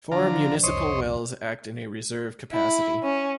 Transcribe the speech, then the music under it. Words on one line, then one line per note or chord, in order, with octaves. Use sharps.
Four municipal wells act in a reserve capacity.
D3 F3 D4 F4 A#5
C2 F2 C5 C#5 D#5
E4
C#4